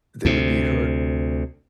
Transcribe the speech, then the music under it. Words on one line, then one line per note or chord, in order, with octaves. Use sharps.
they would be hurt
D2 C3